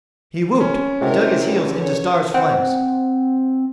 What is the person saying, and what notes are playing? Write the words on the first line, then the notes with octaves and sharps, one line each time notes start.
He whooped, and dug his heels into Star's flanks.
C#4
C3 G#3 E4 F#4 G4 A#4
E2 D3
C#4 C#5
C4 F#5